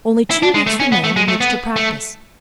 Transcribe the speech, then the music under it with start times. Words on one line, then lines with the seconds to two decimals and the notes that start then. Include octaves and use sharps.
Only two weeks remained in which to practise.
0.30 E4
0.43 D4
0.54 G#3
0.67 A3
0.80 C#4
0.92 B3
1.04 A3
1.16 G#3
1.28 A3
1.41 B3
1.76 A3